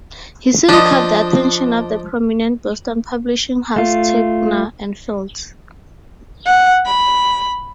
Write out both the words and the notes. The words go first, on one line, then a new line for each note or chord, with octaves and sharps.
He soon caught the attention of the prominent Boston publishing house Ticknor and Fields.
F3 D4 D#5
A3 F4
F#5
B5